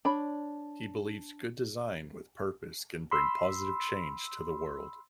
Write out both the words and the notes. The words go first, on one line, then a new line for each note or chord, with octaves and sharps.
He believes good design with purpose can bring positive change to the world.
D4 C#5 B5
B5 C6 E6